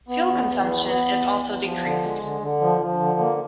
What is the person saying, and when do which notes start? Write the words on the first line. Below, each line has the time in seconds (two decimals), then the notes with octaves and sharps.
Fuel consumption is also decreased.
0.08 B3
0.27 E2
0.47 E2
0.66 B3
0.86 B3
1.05 E2
1.25 E2
1.44 E2
1.64 F3
1.83 D3
2.03 G#3
2.23 D3
2.41 D3
2.61 F3
2.81 F3
3.00 D3
3.19 A#3